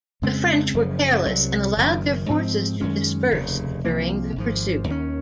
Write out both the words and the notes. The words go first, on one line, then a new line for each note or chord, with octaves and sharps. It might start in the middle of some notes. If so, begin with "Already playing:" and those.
The French were careless and allowed their forces to disperse during the pursuit.
F2 C#3 G#3 C4
F#1 F#2 C#3 F3
C2 C3 F#3
F#1 F#2 D#3
G#2 F3 C4
F#2 D#3 G#3 C#4
F1 D#2 C#3
C2 C3 F3 A#3
G#1 G#2 F3
D#2 D#3 A#3 C#4